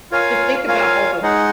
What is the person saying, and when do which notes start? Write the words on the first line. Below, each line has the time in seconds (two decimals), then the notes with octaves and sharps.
to think about all the,
0.11 F4 A#4 C#5 F5 G#5
0.67 F4 A#4 C#5 F5 G#5
1.22 G#3 D#4 G#4 D#5 F#5